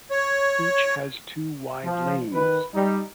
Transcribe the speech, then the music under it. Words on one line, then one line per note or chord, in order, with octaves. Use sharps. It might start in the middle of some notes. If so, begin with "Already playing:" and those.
Each has two wide lanes.
C#5
F3
D#3 B4
G3 D#4